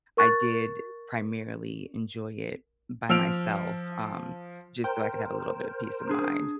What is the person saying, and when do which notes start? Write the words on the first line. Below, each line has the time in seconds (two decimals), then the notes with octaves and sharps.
I did primarily enjoy it by myself, um, just so I could have a little bit of peace of mind.
0.17 A#4 C#6 F#6 A6
3.09 F3 E6 F6 D7 F7
4.84 A#4 C5 G5
6.09 D4 G#4